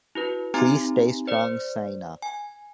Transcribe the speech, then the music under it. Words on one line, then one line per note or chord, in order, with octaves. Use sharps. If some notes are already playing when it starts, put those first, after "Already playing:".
Please stay strong Sainaa.
E4 F#4 B4
C4 D#4 G4 G#5 A#5
C5 D5
G#5